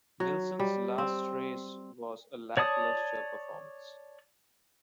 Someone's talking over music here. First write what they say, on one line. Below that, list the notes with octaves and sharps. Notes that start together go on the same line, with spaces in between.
Nilsson's last race was a lacklustre performance.
F#3
G3
C4
C#5 D5 A5 D#6